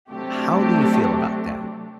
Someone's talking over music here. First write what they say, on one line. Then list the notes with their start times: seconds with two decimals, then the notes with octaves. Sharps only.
how do you feel about that?
0.11 C3 F#3 A3 D4 G4
0.53 G4